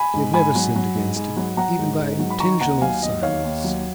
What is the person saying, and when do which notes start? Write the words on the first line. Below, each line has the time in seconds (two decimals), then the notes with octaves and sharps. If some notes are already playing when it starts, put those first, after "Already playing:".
She had never sinned against him, even by intentional silence.
Already playing: G#5 B5
0.14 G#2
0.34 G#2 G#5 B5
0.55 F#3
0.76 F#3
0.95 G#2
1.16 G#2
1.37 F#3
1.57 F#3 F#5 A#5
1.79 G#2
1.99 G#2
2.20 F#3
2.30 B5
2.40 D#3 A#5 C#6
2.61 D#2 F#5 A#5
2.81 F#3 F5 G#5
3.03 D#2 D#5
3.22 D#3 C#5 F5
3.44 D#2
3.64 F#3